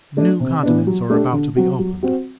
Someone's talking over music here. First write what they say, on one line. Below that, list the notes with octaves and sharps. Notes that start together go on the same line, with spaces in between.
New continents are about to be opened.
A3 D4
C3
E3 B3 D4
F#3
A3 D4 G4
D3
F#3 C4 F#4
F#3
C4 F#4